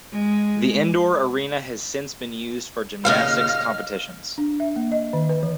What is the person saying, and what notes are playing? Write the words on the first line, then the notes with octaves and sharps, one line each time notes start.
The indoor arena has since been used for gymnastics competitions.
G#3
D#2 A#2 C#3 D#5 F5 F6
D4
E5
A#3
D#5
D#3
B4
E3